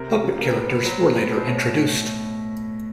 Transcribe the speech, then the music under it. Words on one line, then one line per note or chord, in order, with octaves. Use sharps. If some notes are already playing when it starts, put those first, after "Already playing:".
Puppet characters were later introduced.
Already playing: C3 A#4
G3
C#3
A#3 A#4
G#3 B4
B3
F#3 C5
A#2
B3
B2
C5
A2 C#5